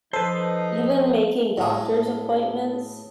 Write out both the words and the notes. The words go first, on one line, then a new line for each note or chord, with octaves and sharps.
even making doctor's appointments.
F3 D#4 A4 B4 C5
A2 G#4